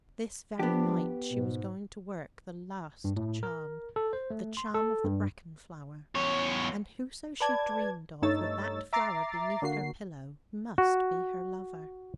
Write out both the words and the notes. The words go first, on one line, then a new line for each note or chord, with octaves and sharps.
This very night she was going to work the last charm--the charm of the bracken flower--and whoso she dreamed of with that flower beneath her pillow must be her lover.
F3 B3 D4 G4
G#2 B2
G2
A2
A#4
A4
C5
A3
C6
A4
G2
E2 C#5
B4 D5 A5 G#6
G2 A3 D#4 C#5 E6 A6
E5 A#5 D6 A6 C7
D3 A#3 F#4 C7
F#4